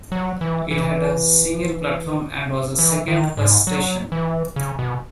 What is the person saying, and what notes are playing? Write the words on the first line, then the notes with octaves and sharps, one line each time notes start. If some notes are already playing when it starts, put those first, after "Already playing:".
It had a single platform and was a second-class station.
F#3
E3
E3
E3
D#3
G#2
F#3
E3
C#3
B2